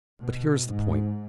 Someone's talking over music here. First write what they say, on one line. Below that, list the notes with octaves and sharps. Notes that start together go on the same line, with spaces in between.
But here is the point.
B2
G#2